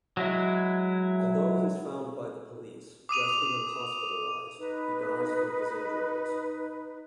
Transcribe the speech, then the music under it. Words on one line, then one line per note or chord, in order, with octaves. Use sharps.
Although he's found by the police, rescued and hospitalized, he dies from his injuries.
F#3 G#3 E4
D6 D#6 D#7 F7
D#4 B4